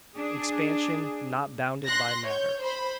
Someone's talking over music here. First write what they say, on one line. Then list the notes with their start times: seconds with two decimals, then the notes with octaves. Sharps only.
Expansion not bounded by Matter.
0.16 D4 G#4
1.86 C6 F#6 A#6
2.23 C#5 G6
2.63 C5 B5